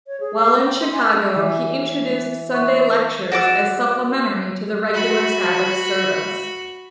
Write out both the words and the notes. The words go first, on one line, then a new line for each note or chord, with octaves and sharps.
While in Chicago he introduced Sunday lectures as supplementary to the regular Sabbath service.
C#5
G#4
F5
A#3
G5
C6
G#5
E3
E5 C#6
F#4 D5 D6 E6
F#4 B5